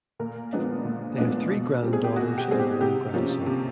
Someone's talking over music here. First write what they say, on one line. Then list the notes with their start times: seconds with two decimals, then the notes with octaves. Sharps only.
They have three granddaughters, and one grandson.
0.19 A#2 A#4
0.53 F3 G#3 B3 D4
0.85 A#2
1.18 F3 G#3 B3 D4
1.51 B2
1.83 G3 C4
1.93 G#4
2.04 G4
2.16 B2 F#4
2.38 G4
2.48 G3 C4 G#4
2.59 G4
2.81 C3 G4
3.14 F3 A#3 C#4
3.46 C3